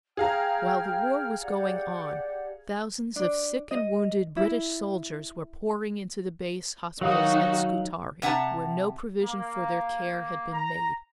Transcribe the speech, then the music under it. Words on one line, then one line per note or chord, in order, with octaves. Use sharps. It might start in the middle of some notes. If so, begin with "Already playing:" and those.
While the war was going on thousands of sick and wounded British soldiers were pouring into the base hospitals at Scutari, where no provision for their care had been made.
G#4 F5 G5 A#5 F6
G4 D5 F#5
D4
D#5
E4
D#3 F#3 D#4 F#4 F5 D#6
C3 E5 F#5 A5 A#5
A#3
A#5